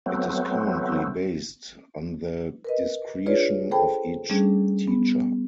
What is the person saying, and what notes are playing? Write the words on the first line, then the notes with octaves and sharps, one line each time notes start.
It is currently based on the discretion of each teacher.
F#3 A3 B3 C4
A#4 B4 D#5
D4 F4 G#4 B4 C#5 D5
G#4 A4 C5 G5 A5 B5
G3 A3 C#4 D4 G#4
B3